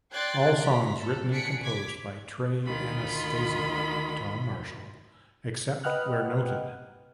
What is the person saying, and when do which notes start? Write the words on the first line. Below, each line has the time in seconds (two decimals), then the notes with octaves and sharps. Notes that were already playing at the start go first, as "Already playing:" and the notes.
All songs written and composed by Trey Anastasio, Tom Marshall, except where noted.
0.13 D5 G5 C6 F#6 G#6 A6
0.62 A#5 B6
1.01 A4
1.32 D4 G#4 F#5 B6 C#7 D7
1.63 D6 G#6 B6
2.66 D2 D#3 F4 B5 C6
5.84 B4 D#5 F#5 G5 F6 F#6